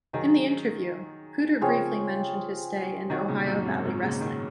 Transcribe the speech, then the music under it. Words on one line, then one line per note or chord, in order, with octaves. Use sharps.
In the interview, Puder briefly mentioned his stay in Ohio Valley Wrestling.
D#3 F#3 D#4 G#4 D#5
C#3 F3 C4 F4 G#4 C#5
C3 D#3 D#4 F#4 C#5
A#2 C#3
F#2 A#2
G#2 C3
G#2 C3
A#2 C#3
C3 D#3